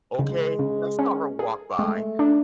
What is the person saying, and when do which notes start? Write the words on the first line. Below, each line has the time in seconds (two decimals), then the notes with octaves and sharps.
okay, that's not her walk by
0.19 C#3 G#3
0.59 C#3
0.99 C#4
1.39 G#4
1.79 G#3 A3
2.19 D4